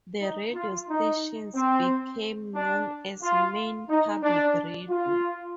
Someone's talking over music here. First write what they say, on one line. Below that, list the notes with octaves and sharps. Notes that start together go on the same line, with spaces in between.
The radio stations became known as "Maine Public Radio".
D#4
F4
D#4
C4
D4
F4
D#4
D4
F4